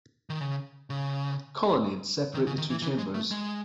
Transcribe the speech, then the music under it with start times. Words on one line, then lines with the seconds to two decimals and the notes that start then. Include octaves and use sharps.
Colonnades separate the two chambers.
0.30 D#3
0.41 C#3
0.90 C#3
2.34 D#3
2.47 C#3
2.58 D#3
2.70 E3
2.82 E3
2.98 G#3
3.14 A3
3.31 G#3